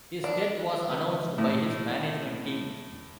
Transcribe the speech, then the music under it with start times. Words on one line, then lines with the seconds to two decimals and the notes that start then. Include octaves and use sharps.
His death was announced by his management team.
0.24 D4
0.89 C#2 B4
1.38 A2 E4